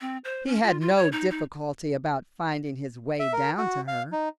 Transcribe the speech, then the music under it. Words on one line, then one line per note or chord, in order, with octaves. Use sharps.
He had no difficulty about finding his way down to her.
C4
C5
C#4
F4
F4
C#5
D#4
D#4
E5
A#4
F#4
F5
D#4